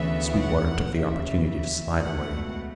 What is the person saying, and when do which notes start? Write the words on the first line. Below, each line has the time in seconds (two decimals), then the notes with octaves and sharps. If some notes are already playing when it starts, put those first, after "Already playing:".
Sweetwater took the opportunity to slide away.
Already playing: D2 C#3 E3 B3 E5
0.41 F#5
0.94 D2 C#3 E3 E5
1.46 E5
1.98 C#2 B2 A3 F#5